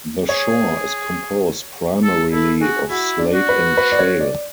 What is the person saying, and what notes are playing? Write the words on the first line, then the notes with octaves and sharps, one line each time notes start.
The shore is composed primarily of slate and shale.
G#4 C#5
A4
E4 A4
F#4 G#4
E4 F#4
D4
F#4
B4
B4
D5
C#5
D5